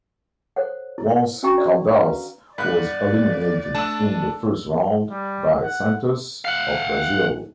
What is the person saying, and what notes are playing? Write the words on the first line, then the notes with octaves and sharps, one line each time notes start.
Once Caldas was eliminated in the first round, by Santos, of Brazil.
A4 C5 C#5 F#5
E4
C#4 D4 F#4 G5 A#5 C#6
D5
B4 F5 F#5 A#5 B5
G2 D5 F#5 B5 F#6
A3 D4 A5 E6 E7
G3
F#5
F5 F#5